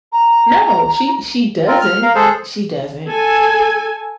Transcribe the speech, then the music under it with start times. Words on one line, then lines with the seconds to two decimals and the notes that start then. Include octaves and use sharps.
No, she she doesn't she doesn't,
0.12 A#5
1.68 C4 F4 A#4
1.81 F6
2.02 A#4 F5
2.15 G#3 G#4 A4 C5
3.07 A4 G#5